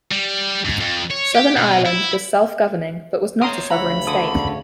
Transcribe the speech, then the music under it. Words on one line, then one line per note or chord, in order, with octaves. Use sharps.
Southern Ireland was self-governing but was not a sovereign state.
G3
G#2
F2
C#5
G4
B2
E4
A#4 C#5 A#5 C6 D#6
D2 C#3 E4 C#5 F#5 A#5 B5
D3 D#6